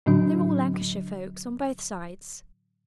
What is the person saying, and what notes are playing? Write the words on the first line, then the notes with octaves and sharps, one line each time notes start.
They were all Lancashire folks, on both sides.
A2 D3 F#3 D4